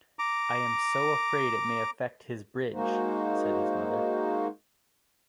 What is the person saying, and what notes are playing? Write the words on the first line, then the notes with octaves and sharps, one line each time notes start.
"I am so afraid it may affect his bridge," said his mother.
A#5 D6
G#3 A#3 D#4 F#4 C5